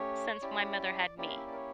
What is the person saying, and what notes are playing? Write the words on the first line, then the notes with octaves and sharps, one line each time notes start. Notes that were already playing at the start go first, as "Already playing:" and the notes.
since my mother had me,
Already playing: A3 C#4 G4 C#5
C#4 E4 G4 D5
A#3 C#4 E4 G4 D5
F5
E5
D5
A#4
C#5